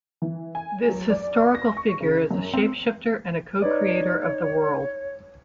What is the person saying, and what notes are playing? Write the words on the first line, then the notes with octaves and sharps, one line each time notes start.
This historical figure is a shapeshifter and a cocreator of the world.
E3
G#5
F#3
D5
A#6
C#6
C#3
F#2
C4
D#4 B4 C#5 D5